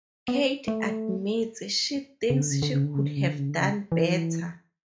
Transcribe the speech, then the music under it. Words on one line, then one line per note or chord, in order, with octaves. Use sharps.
Kate admits she thinks she could have done better.
B3
A3
C#3
D3
C#3
D3
C#3
D3
C#3
D3
C#3
D3
C#3
D3
C#3
E3